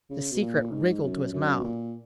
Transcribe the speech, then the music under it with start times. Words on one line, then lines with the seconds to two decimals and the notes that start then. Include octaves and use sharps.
The secret wriggled to his mouth.
0.10 C#3
0.32 B2
0.41 A#2
0.71 G#2
1.02 F#2
1.32 F#2
1.59 B2
1.63 A#2